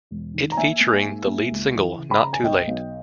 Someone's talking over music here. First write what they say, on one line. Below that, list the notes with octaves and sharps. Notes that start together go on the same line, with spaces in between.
It featuring the lead single "Not Too Late".
E1
D#3
A#5
A#3 E5 G#5
A#3
G#2
A#3
C#2
E3
C#3
B5
C#3 A#5
G#5
B1 D#5 G5
B1